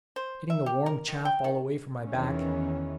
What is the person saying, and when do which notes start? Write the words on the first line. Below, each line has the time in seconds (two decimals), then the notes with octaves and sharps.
"Getting the warm chaff all away from my back!"
0.16 C5
0.50 E5
0.66 G4
0.86 A#4
1.08 D#3
1.25 G5
1.44 D#3
2.07 E2 D#3 E3 C#4